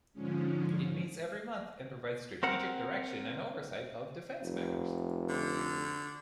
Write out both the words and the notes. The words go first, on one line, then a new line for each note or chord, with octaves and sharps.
It meets every month and provides strategic direction and oversight of Defence matters.
G#2 D3 F3 G#3 C#4
C4 A#4 F#5
F1
D3